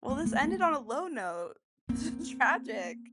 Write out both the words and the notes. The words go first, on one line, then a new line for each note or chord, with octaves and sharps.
Well, this ended on a low note. This is tragic.
G#3 A#3
A3 B3
A3 B3
A#3 C4